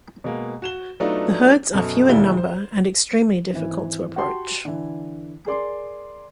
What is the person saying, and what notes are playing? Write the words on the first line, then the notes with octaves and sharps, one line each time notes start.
The herds are few in number and extremely difficult to approach.
B2 G#3 A#3
F#4 E7 G7
F#3 A3 B3 D4 D#4 F4
F#2 B2 A4
E1 D#2 G3 G#3 E4 G7
C5
G#1 E3
F#4 G4 F#5 G5 A5 C6
D3 E3
G#4 A#4 D5 C6 D6